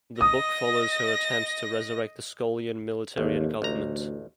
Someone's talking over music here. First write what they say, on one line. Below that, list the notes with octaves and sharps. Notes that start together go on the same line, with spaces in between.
The book follows her attempts to resurrect the Skolian military and government.
D#5 D#6 A#6
A1 D#2
A1 D2 A#5